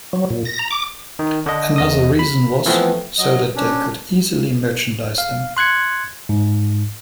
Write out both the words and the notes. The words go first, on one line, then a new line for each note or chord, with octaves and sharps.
Another reason was so that they could easily merchandise them.
F#3
A#2
A#6
A#5
D6
D#3
D3 D4 D#5
E2 D#5 D#6
B5
E3 F3 A3 B3 C4
F#3 D#5
C#4 D4
F5
C6 F#6 G#6 C#7
G#2